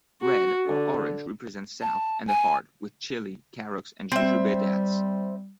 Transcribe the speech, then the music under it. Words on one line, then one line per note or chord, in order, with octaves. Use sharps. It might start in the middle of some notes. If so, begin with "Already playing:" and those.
Red or orange represents South and the heart, with chilli, carrots, and jujube dates.
F#4
D3
A5
G#5
G3 C4 E5